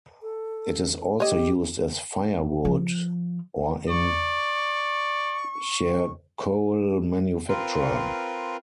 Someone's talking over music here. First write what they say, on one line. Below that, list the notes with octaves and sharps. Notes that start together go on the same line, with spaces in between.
It is also used as firewood, or in charcoal manufacture.
A4
G4 C#5 D#5
F3
D5 C#6
C4 F4 A#4 B4